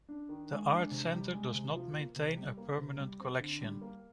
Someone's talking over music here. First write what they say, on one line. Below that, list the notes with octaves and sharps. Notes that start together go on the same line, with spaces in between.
The Art Center does not maintain a permanent collection.
D4
D#3
G#3
D4
C3
G3
G#3
C3
F3
A#3
C3
G3
A#3
C3
G3
C4
D3
G3
A#3